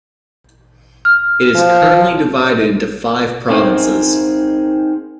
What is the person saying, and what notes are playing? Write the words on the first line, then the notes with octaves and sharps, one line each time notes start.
It is currently divided into five provinces.
F6
F3
C4 D#4 G#4 A#4 C5